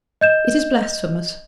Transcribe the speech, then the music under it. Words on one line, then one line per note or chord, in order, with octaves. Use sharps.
It is blasphemous.
D#5 G6 E7